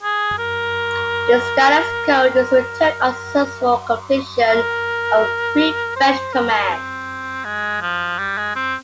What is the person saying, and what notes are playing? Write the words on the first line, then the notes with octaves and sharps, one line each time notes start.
This status code is returned on successful completion of a Pre-fetch Command.
G#4
A#4
A#4
A#4
C5
A#4
C4
G#3
F3
G3
G#3
C4